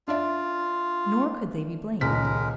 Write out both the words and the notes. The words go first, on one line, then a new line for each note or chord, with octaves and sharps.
Nor could they be blamed.
D4 F4 D5 E5
D#1 C#2 G#3 A#4 B6